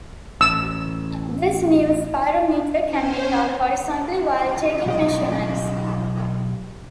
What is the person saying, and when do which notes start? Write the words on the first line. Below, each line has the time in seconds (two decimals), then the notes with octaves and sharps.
This new spirometer can be held horizontally while taking measurements.
0.41 A1 E6
2.85 C#4 C5
4.86 B1 G4 D#5